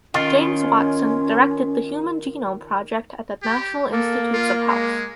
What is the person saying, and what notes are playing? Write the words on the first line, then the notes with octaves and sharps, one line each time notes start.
James Watson directed the Human Genome Project at the National Institutes of Health.
D#3 C#4 F4
G4
A#3 A4
F4
G#3